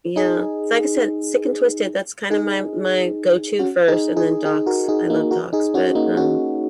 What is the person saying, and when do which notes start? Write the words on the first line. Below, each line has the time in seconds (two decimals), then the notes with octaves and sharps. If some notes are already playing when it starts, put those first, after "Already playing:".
Yeah. It's like I said, Sick and Twisted, that's kinda my my go to first, and then docs. I love docs, but, um,
0.16 D#4 G#4
2.31 D#4 G#4
3.59 C#4 F#4
3.88 D#4 G#4
4.16 D#4 G#4
4.45 D#4 G#4
4.66 F#4 A#4
4.88 D#4 G#4
5.10 A#3 D#4
5.31 F#4 A#4
5.53 D#4 G#4
5.74 C#4 F#4
5.95 A#3 D#4
6.17 C#4 F#4